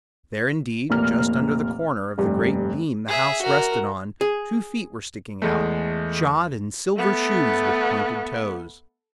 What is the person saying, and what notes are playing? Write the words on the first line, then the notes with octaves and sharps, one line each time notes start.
There, indeed, just under the corner of the great beam the house rested on, two feet were sticking out, shod in silver shoes with pointed toes.
F1 A#2 A#3 F6
F1 G2
G#4 E5
F#4 A#4
G#4
E2 G#3 A3
A3 B3